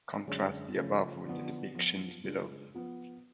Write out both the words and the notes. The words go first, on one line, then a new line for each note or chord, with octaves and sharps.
Contrast the above with the depictions below.
F#2 D3 G#3 C#4
C#3 F3 A3 C#4
D3 F3 B3
F3 B3 F4
C#3 G#3 D4 F4
F3 B3 F4